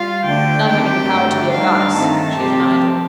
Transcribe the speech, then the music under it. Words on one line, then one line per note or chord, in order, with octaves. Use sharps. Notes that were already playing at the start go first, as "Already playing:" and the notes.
Not having the power to be a goddess, she is an idol.
Already playing: G3 F4 F5
D2 D3 A3 D4 G5
D#3 A3 C4 G4 G5
G2 D3 A3 D4
D#3 G3 D4 F5
D#3 A3 C4 A5
C3 F3 C4 G4